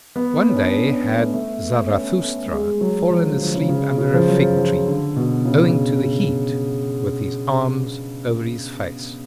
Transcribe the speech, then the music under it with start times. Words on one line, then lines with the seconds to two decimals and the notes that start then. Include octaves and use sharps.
One day had Zarathustra fallen asleep under a fig-tree, owing to the heat, with his arms over his face.
0.16 B3
0.49 C#4
0.56 D4
0.75 D4
0.89 C#4
1.04 B3
1.19 A3
1.34 A3
1.63 B3
1.87 C#4
1.93 B3
2.22 A3
2.46 A3
2.52 G#3
2.81 F#3
3.10 F3
3.25 D3
3.39 F3
3.54 C#3
3.69 C#3
3.98 C#3
4.14 F3
4.28 F#3
4.57 F3
4.86 D3
5.16 B2
5.45 C#3